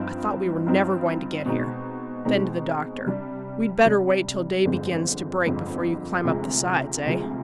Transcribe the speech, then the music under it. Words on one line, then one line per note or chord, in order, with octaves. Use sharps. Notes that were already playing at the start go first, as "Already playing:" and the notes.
"I thought we were never going to get here." Then to the doctor, "We'd better wait till day begins to break before you climb up the sides, eh?"
Already playing: G2 F3 C4 D#4
G2 F3 C4 D#4
B2 G#3 C4 D#4
B2 G#3 C4 D#4
C3 G3 D4
C3 G3 D4
G1 F2 D3 G#3 C4
G1 F2 D3 G#3 C4
D2 C3 F3 G#3
D2 C3 F3 G#3